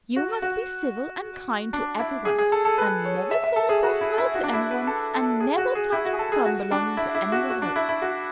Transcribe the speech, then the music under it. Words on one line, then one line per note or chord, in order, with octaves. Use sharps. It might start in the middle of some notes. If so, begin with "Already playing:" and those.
You must be civil and kind to everyone, and never say a cross word to anyone, and never touch a crumb belonging to anyone else.
F#4
F#4
D4
E4
G#4
G#4
A4
A4
B4
C#5
E5
E5
A4
G#4
F#4
E4
E4
F#4
D4
E4
B4
A4
A4
G#4
F#4
G#4
E4
F#4
A4
G#4
F#4
D4
E4
E4
F#4
F#4
D4
E4
E4
F#4